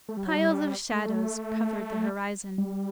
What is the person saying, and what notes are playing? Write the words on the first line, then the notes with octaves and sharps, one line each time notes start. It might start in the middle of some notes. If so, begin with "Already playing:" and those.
Piles of shadows covered the horizon.
A3
G3
F#3
G3
A3
G3